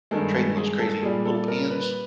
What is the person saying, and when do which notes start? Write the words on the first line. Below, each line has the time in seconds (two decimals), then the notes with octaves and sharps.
trading those crazy little pins.
0.11 G2 D#3 G#3 A4
0.57 G#4
0.79 A4
1.02 A#2 G3 G#4
1.25 A4
1.48 A#4
1.71 B4